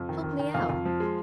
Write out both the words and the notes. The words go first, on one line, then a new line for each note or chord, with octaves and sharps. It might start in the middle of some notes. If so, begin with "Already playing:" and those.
Help me out!
Already playing: F2
D#3
D#3
D#3
F2 F5
F2
F3
G#3